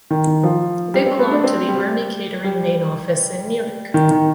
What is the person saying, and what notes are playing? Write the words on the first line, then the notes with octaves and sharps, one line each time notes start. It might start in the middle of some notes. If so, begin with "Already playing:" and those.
They belonged to the Army Catering Main Office in Munich.
D#3
D#3
F3
G3
C4
B3
D4
C4
G3
G3
D#3
D#3